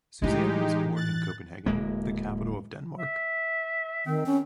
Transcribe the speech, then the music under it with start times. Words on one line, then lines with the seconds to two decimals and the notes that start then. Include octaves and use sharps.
Susanna was born in Copenhagen, the capital of Denmark.
0.22 A2 E3 G#3 D#4 G4
0.96 F#6 A6
1.66 D1 G#3 A#3
2.98 E5
4.06 D#3 C4
4.26 C#4